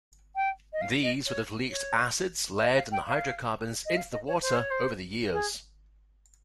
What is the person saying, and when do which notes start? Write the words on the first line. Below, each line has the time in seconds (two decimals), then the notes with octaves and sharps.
These would have leached acids, lead and hydrocarbons into the water over the years.
0.35 G5
0.72 D#5
0.81 F5
1.03 D#5
1.26 C#5
1.70 C#5
2.61 D#5
2.77 F5
2.92 G5
3.07 F5
3.85 D#5
3.96 F5
4.12 D#5
4.27 C#5
4.42 C5
4.55 C#5
4.70 C5
5.32 G#4